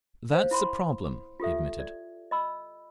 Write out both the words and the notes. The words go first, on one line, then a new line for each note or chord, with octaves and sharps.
"That's a problem," he admitted.
C5 F5
E4 B5 C6
F4 G4 A4 E5
D5
D#5 B5 E6